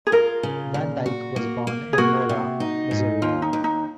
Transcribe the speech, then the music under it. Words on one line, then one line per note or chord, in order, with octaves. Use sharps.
Van Dyke was born in Mora, Missouri.
G#4
F4 A#4
C#3
A#2
F#4
A#3
A#3
G#4
A#3 F#4
C3
D#4
G#2
D#2 F4
D#4
D#2
D#4